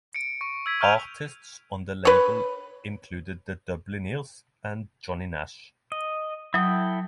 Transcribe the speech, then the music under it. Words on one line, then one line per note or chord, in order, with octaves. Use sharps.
Artists on the label included the Dubliners and Johnny Nash.
C#7 D7
C#6 D7
E6 G#6 B6
C#6 F6 G6 D7 D#7 F7
B4 C#5
D#5
F#3 E4 A4 G5 D#6